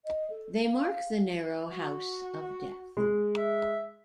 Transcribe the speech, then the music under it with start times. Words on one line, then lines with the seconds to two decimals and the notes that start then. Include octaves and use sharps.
They mark the narrow house of death.
0.05 D#5
0.30 A4
0.62 F5
1.68 F#4
2.97 G#3
3.37 E5